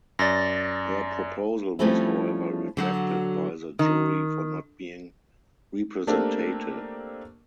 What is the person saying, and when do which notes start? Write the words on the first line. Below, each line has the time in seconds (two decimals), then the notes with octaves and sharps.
Her proposal was however rejected by the jury for not being representative.
0.19 F#2 D5 A6 A#6
1.79 F3 G3 A3 C4 C#4 E4
2.77 D3 F#3 F#4
3.79 D#3
6.07 A3 A#3 C4 D4 G4 A#4